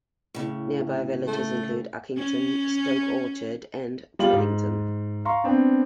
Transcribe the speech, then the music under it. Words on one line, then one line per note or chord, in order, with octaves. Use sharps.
Nearby villages include Uckington, Stoke Orchard, and Tredington.
A2 C#3
A3
C#4
G3 F4 F#7
G#2
F5 A#5 C6 C#6
B3 C4 D4